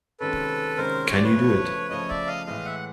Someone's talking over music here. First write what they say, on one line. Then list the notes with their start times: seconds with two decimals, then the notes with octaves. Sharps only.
Can you do it?
0.20 C3 D#3 G#3 C#4 A4 B4
0.77 C3 D#3 G#3 C#4 A#4 C5
1.05 C#5
1.14 D5
1.23 B4 C#5
1.33 C#3 F3 A3
1.90 C#3 F3 A3 C#5 D#5
2.09 D5 E5
2.27 D#5 F5
2.46 A2 E3 G#3 D#5 F5
2.65 E5 F#5